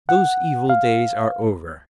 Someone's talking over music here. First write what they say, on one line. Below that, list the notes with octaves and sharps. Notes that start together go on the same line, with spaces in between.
Those evil days are over.
F#5
F5